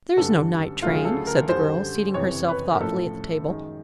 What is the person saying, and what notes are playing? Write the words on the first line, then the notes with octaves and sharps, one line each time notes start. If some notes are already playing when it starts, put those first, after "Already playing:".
"There is no night train," said the girl, seating herself thoughtfully at the table.
G1 F#2 D3 G3 A4
D2 C#3 F#3 A3 F4
G#4
A4
A#4
F#2 D3 G3 C5
F#1 F2 C3 E3 C#5
B4
A#4
A1 A2 F3 A3 A4
F#2 D#3 G#3